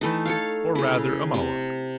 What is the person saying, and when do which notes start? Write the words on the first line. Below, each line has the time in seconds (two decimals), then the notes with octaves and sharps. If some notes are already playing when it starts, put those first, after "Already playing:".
Or, rather, a monologue.
0.01 E3 A3 D#4
0.26 A4 C#5 F5
0.75 C#3 E4
1.34 C3